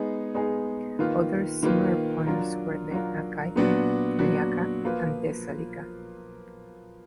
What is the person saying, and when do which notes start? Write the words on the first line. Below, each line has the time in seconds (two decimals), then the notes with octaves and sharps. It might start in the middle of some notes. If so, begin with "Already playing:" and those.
Other similar poems were the "Achaica", "Eliaca", and "Thessalica".
Already playing: G#3 B3 D#4 G#4
0.34 G#3 B3 D#4 G#4
0.99 D#3 A#3 F4 B4
1.63 D#3 A#3 F4 B4
2.27 F#3 D4 F4 A#4
2.91 F#3 D4 F4 A#4
3.56 A#2 F#3 B3 D4 F#4
4.19 A#2 F#3 B3 D4 F#4
4.84 F3 A#3 F4 B4